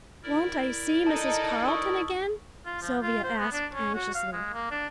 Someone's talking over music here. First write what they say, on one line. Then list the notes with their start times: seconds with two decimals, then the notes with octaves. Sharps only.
"Won't I see Mrs. Carleton again?" Sylvia asked anxiously.
0.23 E4 A#4 D5
1.07 D#4 A4 A5
1.68 C#6 D#6 E6
2.66 F4
2.82 F3
3.02 F4
3.24 C5
3.38 B3
3.52 D4
3.74 C#4
3.95 F#4
4.15 F5
4.33 G#3
4.54 A#3
4.71 D4